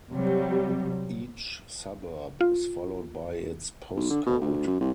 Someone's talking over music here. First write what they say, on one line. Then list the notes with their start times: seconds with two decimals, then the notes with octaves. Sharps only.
Each suburb is followed by its postcode.
0.12 C3 F#3 G3
2.41 F4
3.97 B1
4.10 D3
4.26 B2
4.41 D2
4.67 F#2
4.80 C2